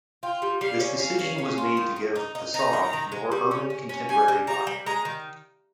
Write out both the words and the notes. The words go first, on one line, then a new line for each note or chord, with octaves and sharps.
This decision was made to give the song a more urban contemporary vibe.
F4 G5
G3
G3 F5
C#4
C#4 F5
C#4
C#4
F4
D#3
D#3
D#4
D#4
D#4 A#5
D#3
D#3
G#3
G3
C#4
C#4
C#4
G3 G#5
G3
G3 A#5
G3
G#3 A#5
D#3